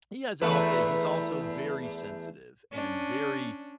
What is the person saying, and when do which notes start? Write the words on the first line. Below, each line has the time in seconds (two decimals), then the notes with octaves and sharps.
He has an off day, he's also very sensitive and very
0.41 E2 A3 B4
2.72 C#4 D4